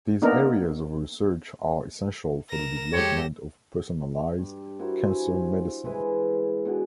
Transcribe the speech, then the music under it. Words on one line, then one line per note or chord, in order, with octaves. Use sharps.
These areas of research are essential for the development of personalised cancer medicine.
A#3 B3 D4 D#4 A#4
A#4 A#6 E7
F2 G#3 G4 A4 C#5
G2
E4 F#4 A#4 C5
C5 G#5 B5
E3 G#3 E4 B4
B2 D3 F#4 G#4